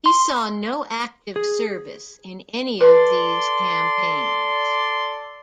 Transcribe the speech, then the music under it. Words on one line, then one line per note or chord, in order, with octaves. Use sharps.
He saw no active service in any of these campaigns.
C6
G#4
A4 B4 D5 C6